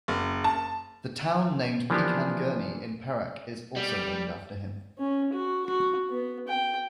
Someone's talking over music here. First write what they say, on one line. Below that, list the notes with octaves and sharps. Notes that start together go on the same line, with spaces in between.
The town named Pekan Gurney in Perak is also named after him.
F#1
A5
E3 F3 A#3 B3 D4 G4
G3
C#4
F#4
F#4
B3
G5